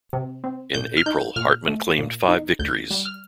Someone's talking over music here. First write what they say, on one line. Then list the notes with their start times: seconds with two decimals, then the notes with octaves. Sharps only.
In April Hartmann claimed five victories.
0.13 C3
0.44 C4
0.74 A#2 G6
0.97 F6
1.06 D#4 G6
1.36 A#2 F6
1.67 A3
1.98 A#2
2.28 D#4
2.59 D2 G6
2.90 G3
3.05 F6